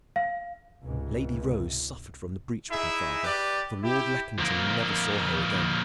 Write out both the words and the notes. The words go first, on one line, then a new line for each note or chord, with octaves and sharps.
Lady Rose suffered from the breach with her father, for Lord Lackington never saw her again.
F5
C#2 G#2 C3
D#4 E4 G#4 E5
G4 B4 D5
E4 G4
F2 A#3